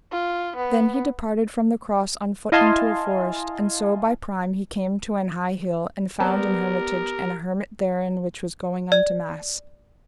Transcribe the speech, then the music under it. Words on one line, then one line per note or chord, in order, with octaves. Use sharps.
Then he departed from the cross on foot into a forest; and so by prime he came to an high hill, and found an hermitage and a hermit therein which was going unto mass.
F4
B3
E4 D#5 F5 G#5 A5 C6
B3 C4 G4 A#4 B4 D5 A5
D5